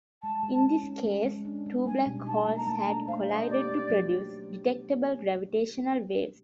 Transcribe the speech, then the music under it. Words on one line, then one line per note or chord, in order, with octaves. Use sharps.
In this case, two black holes had collided to produce detectable gravitational waves.
G#3 A5
G#3
C#4
C#4
G#3
G#3
D4
G#3
G3 G#5
B2
D#4 A5
A#3
A#5
A3 A5
A5
D4 A#5
C5 F5
C5 D#5
G4 D5
G4
F#3